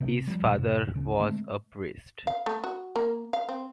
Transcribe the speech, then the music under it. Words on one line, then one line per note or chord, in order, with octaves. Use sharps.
His father was a priest.
C3 C4
F3 G3
D#2 A#2
F#2 C3
D1 C#3 C#4
D3 G#3 A3 C4
F5
A3
F#4
A#3
F5
C4